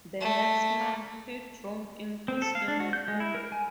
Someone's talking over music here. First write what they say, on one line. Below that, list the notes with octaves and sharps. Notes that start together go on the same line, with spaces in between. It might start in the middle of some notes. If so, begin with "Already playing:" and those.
The next month he drowned in his swimming pool.
A3
C4
A4
F5
D4
F#4
G6
G#3
E4
A#4
G#5